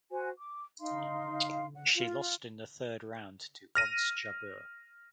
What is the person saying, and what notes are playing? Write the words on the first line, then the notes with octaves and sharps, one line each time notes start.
She lost in the third round to Ons Jabeur.
F#4 C5 G#5
D6
D#4 F5 C6
F#5
F4
F6 A#6 D#7